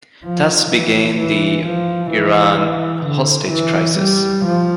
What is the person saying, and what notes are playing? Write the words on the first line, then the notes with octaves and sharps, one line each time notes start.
Thus began the Iran hostage crisis.
F3
E3
E3
F3
E3
E3
D3
E3
G3
F3